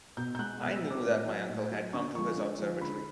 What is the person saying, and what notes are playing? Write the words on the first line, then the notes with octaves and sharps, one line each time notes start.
I knew that my uncle had come to his observatory.
B2 G6
G6
G#3 F#6
B2 F#6
E6
G#3
D6
A2
F#3
A2
F#3
D3 C#6
F3 G#3 C#6
D3
F3 G#3
D3 B5